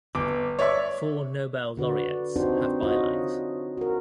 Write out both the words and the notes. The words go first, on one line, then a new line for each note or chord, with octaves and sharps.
Four Nobel Laureates have bylines.
G1 D6
C#5 D5 E5 C#6
D3 F#4 B4 D5
C4 D4 D#4 F#4 G4 C5
D#4 F4 F#4 C#5 D#5
F#4 A#4